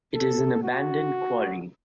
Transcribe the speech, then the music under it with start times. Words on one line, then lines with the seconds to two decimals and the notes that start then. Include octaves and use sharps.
It is an abandoned Quarry.
0.15 A4
0.63 F#4